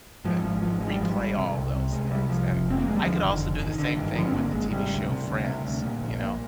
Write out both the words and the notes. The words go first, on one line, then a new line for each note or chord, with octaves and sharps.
uh, replay all those things. And I could also do the same thing with the TV show Friends, you know?
G#2 F3
G#1 F3
G#2 F3
G#1 G#3
G3
G#2 F3
G3
G#1
C3
C2
C3
C2 G#3
C3 G3
C2 F3
F1
F1 C4
A#3
D#2 G#3
G3
D3 F3
F1 D#3
F1
G#1 D#3
G#1 D3
G2 D#3
D3 F3
C4
G#1 A#3
G#1 G#3
C3 G3
D2
C3
D2
C3
D2
A#2
A#1
A#2